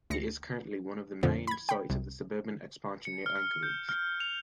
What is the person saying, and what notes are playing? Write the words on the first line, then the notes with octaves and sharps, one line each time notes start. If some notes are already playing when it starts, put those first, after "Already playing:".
It is currently one of the main sites of suburban expansion near Anchorage.
D2 A#6 C#7
F2 A#2 D3 F3
B5 G#6
G5 B5
C2
C#7
F6
G6
F6
F7